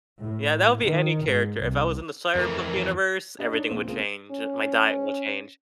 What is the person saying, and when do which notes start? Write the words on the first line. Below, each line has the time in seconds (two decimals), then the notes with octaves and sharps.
Yeah, that would be any character. If I was in the Cyberpunk universe, everything would change it My diet will change.
0.22 A2
0.84 D#3
1.27 G#2
1.59 C2
2.35 F2 E3 A3 A#4
3.39 D4 G4 D#5
3.53 D4 D#4 C#5
3.69 A#1 D#2 C4
3.88 C#2 A#3 C4 G#4
4.31 C#4